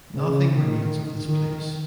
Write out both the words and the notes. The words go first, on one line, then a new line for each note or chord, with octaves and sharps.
Nothing remains of this place.
C#3
D#3
D#3